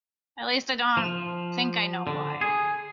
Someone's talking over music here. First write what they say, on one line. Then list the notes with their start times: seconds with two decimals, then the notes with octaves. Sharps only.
At least I don't think I know why.
0.97 F3
2.07 D3
2.41 G#4